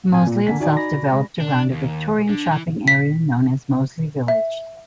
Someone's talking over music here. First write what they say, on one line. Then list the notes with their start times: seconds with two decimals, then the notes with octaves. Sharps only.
Moseley itself developed around a Victorian shopping area known as "Moseley Village".
0.11 A2 C4 G#5
0.27 A#2
0.47 D3 D#3 A#3 G#5 B6
0.60 D#4 F#4 D5 G#5
0.77 B5 A#6
1.11 G#3
1.40 D4
1.72 D#2
2.29 D3
2.51 E3
2.88 B6
4.28 E5